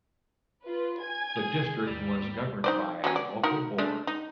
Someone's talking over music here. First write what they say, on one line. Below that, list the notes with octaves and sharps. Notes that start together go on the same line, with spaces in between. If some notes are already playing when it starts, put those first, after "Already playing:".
The district was governed by a local board.
F4 B4
G#5 G#6
G#4
D#2 G#2 G3
D#4 C5 D5
F#3 G3 C#4
D5
D#4 F#4 A#4
G#3 A3 D4
D#4